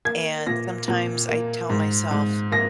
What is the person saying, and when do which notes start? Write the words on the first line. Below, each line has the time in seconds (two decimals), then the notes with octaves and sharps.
And sometimes I tell myself,
0.05 A#3 G#6
0.47 A#2 A#6
0.88 A#2
1.29 A#3
1.70 G#2
2.11 G#2
2.52 A#3 A#6